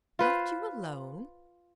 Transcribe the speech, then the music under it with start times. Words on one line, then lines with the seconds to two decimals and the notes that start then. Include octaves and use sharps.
Left you alone?'
0.19 F4 B4 C5